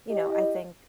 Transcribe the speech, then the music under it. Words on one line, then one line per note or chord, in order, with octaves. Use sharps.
you know, I think
E4 G4 D#5